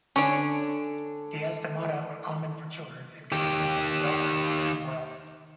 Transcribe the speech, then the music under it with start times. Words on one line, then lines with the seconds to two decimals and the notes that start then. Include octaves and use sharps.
Diastemata are common for children and can exist in adult teeth as well.
0.16 D3 C#4 D4 C#5
3.32 D#3 G4